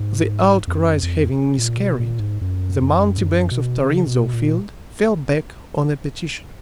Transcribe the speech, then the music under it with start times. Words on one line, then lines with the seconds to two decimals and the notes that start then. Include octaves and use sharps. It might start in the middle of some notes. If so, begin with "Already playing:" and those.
The outcries having miscarried, the mountebanks of Tarrinzeau Field fell back on a petition.
Already playing: G#2
0.67 F2
0.75 F#2
1.03 F2
1.58 A#2
1.78 B2
2.00 A#2
2.19 G#2
2.41 F#2
2.82 F#2
3.18 G#2
3.24 F#2
3.51 B2
3.79 C#3
4.07 B2
4.33 A#2